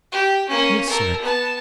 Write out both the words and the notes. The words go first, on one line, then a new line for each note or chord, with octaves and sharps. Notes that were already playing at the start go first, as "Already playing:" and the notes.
"Yes, sir."
G4
A#3 C#4
A4 A#4
B3 A5